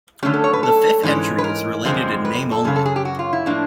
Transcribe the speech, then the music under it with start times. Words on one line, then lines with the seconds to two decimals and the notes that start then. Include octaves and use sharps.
The fifth entry is related in name only.
0.23 D3 F#3 A3 C#4 G4
0.34 A4
0.44 C#5
0.53 B4
0.63 A4
1.03 G#2 E3 G#3 C#4
1.38 B4
1.44 A#4
1.85 F#2 D3 F3 G#3 C4
2.25 B4
2.51 A4
2.65 F#2 C#3 F#3 G#4
2.76 A4
2.85 G#4
2.96 G4
3.05 F#4
3.19 F4
3.33 E4
3.46 A2 F3 A#3 D4